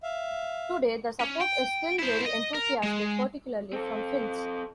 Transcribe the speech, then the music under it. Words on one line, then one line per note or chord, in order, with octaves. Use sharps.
Today, the support is still very enthusiastic, particularly from Finns.
E5 F5
C#4
G5
E4 C5
D#5
A#4
G#3
C4 A4